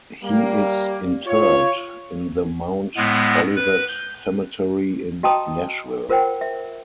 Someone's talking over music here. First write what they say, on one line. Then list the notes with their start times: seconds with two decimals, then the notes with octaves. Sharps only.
He is interred in the Mount Olivet Cemetery in Nashville.
0.24 G3 A#3
1.27 F4 C#5
2.97 A2 G#3 B3
3.56 B4
3.89 G6
5.23 F#4 D#5 G5 A5 A#5 D#6
6.10 F4 A#4 C5 F#5 G5
6.41 E5